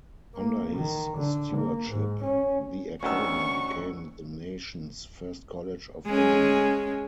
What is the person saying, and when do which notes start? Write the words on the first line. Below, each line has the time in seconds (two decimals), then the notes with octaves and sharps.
Under his stewardship, the Academy became the nation's first college of engineering.
0.35 A#3
0.76 D#3
1.17 D3
1.56 A#3
1.90 G#2
2.23 C#4
3.03 D2 D#3 C#4 F#5 C#6 E6
6.06 G#3 C#4